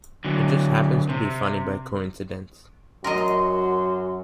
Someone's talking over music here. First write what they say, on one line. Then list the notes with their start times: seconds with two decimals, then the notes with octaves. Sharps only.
It just happens to be funny by coincidence.
0.25 D3 F#3
1.09 C3
3.04 F#2 F#4 A#4 D#5 C6